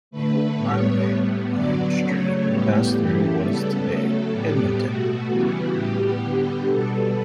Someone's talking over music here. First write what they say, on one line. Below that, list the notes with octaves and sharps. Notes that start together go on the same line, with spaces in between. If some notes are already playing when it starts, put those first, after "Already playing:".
The old highway Ermine Street passed through what is today Edmonton.
D3 A3 B4
A2 G3 B3 C#5
A2 G3 B3
D3 F#3 B3 D5
C#3 F#3 A3 C#5
A2 G3 B3 G4
C#3 E3 A3 G4
C#3 G3 B3 A4
C#3 F#3 A3 A4
A2 G3 B3 G4
B2 A3 F#4
C#3 E3 G3 B3 F#4
A2 G3 B3 G4
D3 G3 B3
B2 G3 B3 A4